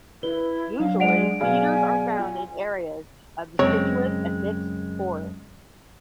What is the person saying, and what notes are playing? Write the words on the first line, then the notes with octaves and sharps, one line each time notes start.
Usually cedars are found in areas of deciduous and mixed forest.
E4 B4 G7
F#3 D4 F5
G#3 D5 F#5 D7 F7
B2 F#3 G#4 D5 F5 G#5
F4 G#5
F#2 C#3 G#3 C4 C#5